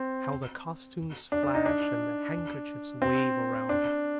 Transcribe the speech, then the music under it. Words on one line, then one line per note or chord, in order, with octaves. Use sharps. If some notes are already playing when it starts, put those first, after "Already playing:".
How the costumes flash and the handkerchiefs wave around her!
Already playing: C4
D4
D4
D#4
D4
C4
D4